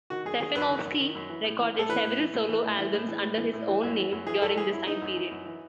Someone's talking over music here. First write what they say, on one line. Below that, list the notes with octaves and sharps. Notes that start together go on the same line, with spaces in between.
Stefanovski recorded several solo albums under his own name during this time period.
D#3 F#4
F#2 G#4
D#3 G#4
F#2 B4
D#3
F#2
D#3
F#2
E3
A2
E3
A2 A4
E3 B4
A2
E3
A2
E3
A2
E3
A2
E3
A2
E3
A2
E3
F#2
E3
F#2
E3 G#4
F#2 A4
E3 G#4
F#2 E4
E3 D#4
F#2
E3
F#2
E3